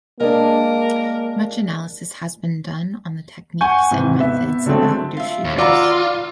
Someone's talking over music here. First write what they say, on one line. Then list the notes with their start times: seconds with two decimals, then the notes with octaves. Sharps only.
Much analysis has been done on the techniques and methods of active shooters.
0.20 G#3 A#3 D4 A#4
3.61 F#5 G#5 C#6 G6
3.91 G#2 C3 E3
4.20 B3 E5
4.66 D3 F#3 G#3 A3 C4
5.17 F4 E5
5.44 D#2
5.58 F4 F#4 A#4 B4 D5 D6 E6